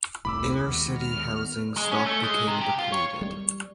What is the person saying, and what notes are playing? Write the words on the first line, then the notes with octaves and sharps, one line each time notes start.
Inner-city housing stock became depleted.
E1 C2 A2 B5 D6 E6
D#2 G#3 B3 F#4
F6
G#3
C#4
A3
G#3
C3
G4
F4
C#5
G3